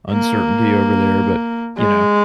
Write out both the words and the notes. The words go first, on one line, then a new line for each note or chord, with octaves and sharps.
uncertainty over there, but, you know,
A#3
G#3